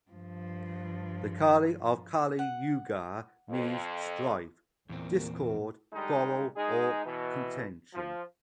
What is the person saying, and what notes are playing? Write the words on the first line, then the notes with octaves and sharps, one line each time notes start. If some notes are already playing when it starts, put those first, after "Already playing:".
The "Kali" of Kali Yuga means "strife", "discord", "quarrel" or "contention".
G2 F3
F#5
F2
E2 A#2 A#3 C4
D3 G3 G#3 D#4
G#3 D#4 G#4
B2 E3
F3